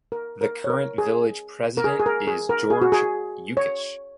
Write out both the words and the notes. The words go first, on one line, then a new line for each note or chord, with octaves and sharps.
The current village president is George Yukich.
A#4
A#4
C#5
A#4
G#4
A#4
G#4
G#4
A#4
G#4
A#4
G#4
F#4
G#4
C#5